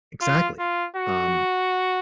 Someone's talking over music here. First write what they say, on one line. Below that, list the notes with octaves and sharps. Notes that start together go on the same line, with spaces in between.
Exactly. Um,
F4
F4
F#4